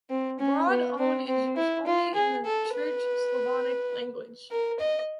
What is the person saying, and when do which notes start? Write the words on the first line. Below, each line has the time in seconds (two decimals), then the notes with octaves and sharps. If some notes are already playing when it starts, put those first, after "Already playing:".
Broad On is used only in the Church Slavonic language.
0.10 C4
0.39 C#4
0.69 B3
0.99 C4
1.27 C4
1.57 E4
1.86 F4
2.15 G#4
2.45 A4
2.74 B4
4.51 A#4
4.80 D#5